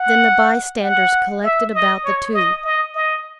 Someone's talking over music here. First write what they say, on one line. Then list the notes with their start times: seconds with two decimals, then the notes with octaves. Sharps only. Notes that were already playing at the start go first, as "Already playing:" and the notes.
Then the bystanders collected about the two.
Already playing: F#5
0.83 F#5
1.44 E5
1.74 D#5
2.04 C#5
2.34 D#5
2.64 D#5
2.95 D#5